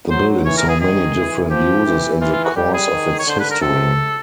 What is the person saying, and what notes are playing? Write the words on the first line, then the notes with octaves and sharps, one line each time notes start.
The building saw many different uses in the course of its history.
F#3 C5
E3 C#5
A#4
G#4
D#3 G#4
E3
F3 G4
E3
E3 F4
F4
F#4
G3 G4
G#4
D#3
C#5
D3 C5
B4
A#4
C3 A4